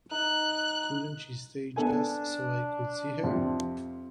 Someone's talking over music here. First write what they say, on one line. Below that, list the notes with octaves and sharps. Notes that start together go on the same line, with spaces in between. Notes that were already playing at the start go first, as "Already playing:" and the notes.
Couldn't she stay, just so I could see her?
D#4 F#6
B3 D4 A4 G#5
F2 C3 F3